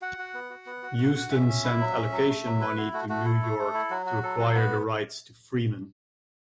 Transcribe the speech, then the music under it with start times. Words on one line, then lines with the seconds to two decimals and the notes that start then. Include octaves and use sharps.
Houston sent allocation money to New York to acquire the rights to Freeman.
0.02 F#4 F#5
0.19 F#4
0.34 B3
0.50 F#4
0.66 B3
0.83 F#4
0.98 F#4
1.15 F#4
1.31 C#4 E5
1.48 C#4
1.64 E4
1.80 F#3
1.96 C#4
2.12 F#3
2.29 A3
2.45 F#3
2.61 E4 B4
2.77 E4 F#4
2.93 A3 F#4
3.09 A3 F#4
3.25 E4 A4
3.42 A3
3.59 A3
3.74 E4
3.90 F#3 F#4
4.06 F#4
4.23 F#3 A4
4.39 F#4
4.55 B3 F#4